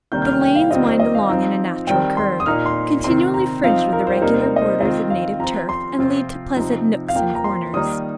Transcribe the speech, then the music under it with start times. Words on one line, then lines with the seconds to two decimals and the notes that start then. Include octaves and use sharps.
The lanes wind along in a natural curve, continually fringed with irregular borders of native turf, and lead to pleasant nooks and corners.
0.12 C3 D#3 G3 A#3 G6
0.22 G6
0.26 F6
0.41 G5
0.55 F5
0.71 D#3 G3 C4 F4 D#5
0.85 C5
1.00 D#5
1.15 F5
1.29 F3 C4 D#4
1.87 D#3 G3 C4 G5
2.17 C6
2.40 D#6
2.46 A#2 A#3 D#4 F6
2.66 C6
3.04 C3 D#3 C4 C6
3.34 A#5
3.63 F3 C4 D#4 F5
3.93 A#4
4.07 C5
4.16 G4
4.22 C3 G3 A#3 D#4 A#4
4.34 C5
4.42 A#4
4.56 D#5
4.61 C5
4.81 D#3 C4 F4 D#5
5.10 F5
5.39 F3 C4 F4 A#5
5.69 C6
5.97 C3 F3 C4 F4
6.57 C3 F3 C4 D#4
7.09 F5
7.15 F3 A#3 F4 G5
7.35 A#5
7.44 C6
7.74 D#3 G3 A#3 D#4 D#6